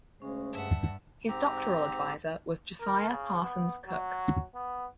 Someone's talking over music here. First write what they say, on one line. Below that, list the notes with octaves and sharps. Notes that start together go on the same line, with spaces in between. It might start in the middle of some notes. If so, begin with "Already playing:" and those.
His doctoral advisor was Josiah Parsons Cooke.
D2 C#3 G#3 C#4 C5
G2 E5 F#5 A5
G#2 C4 G4 A#5
A#4
C#3
B3
F#3
B3